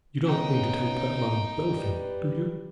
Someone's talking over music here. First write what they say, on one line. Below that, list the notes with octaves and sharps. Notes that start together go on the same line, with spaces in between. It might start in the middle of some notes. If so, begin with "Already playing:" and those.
"You don't mean to take that man Bellfield, do you?"
C#3 B3 D#4 G5
G3 B4